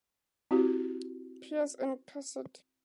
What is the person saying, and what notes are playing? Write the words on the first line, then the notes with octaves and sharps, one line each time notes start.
Pierce and Cassatt.
C4 E4 F#4 G4